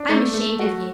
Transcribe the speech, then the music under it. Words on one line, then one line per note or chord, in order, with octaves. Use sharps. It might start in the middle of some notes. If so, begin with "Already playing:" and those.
I am ashamed of you.
Already playing: D4
A3
A3
F#4